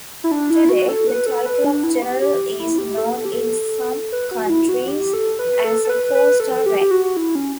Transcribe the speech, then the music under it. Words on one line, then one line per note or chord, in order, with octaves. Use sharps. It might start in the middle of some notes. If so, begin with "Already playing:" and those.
Today, the title of "General" is known in some countries as a four-star rank.
E4
D4
E4
F#4
A4
B4
A4
B4
D4
E4
G4
G4
E4
G4
A4
A4
G4
A4
B4
F#4
F#4
E4
F#4
G4
A4
B4
A4
A4
B4
B4
A4
G4
G4
F#4
E4
C#4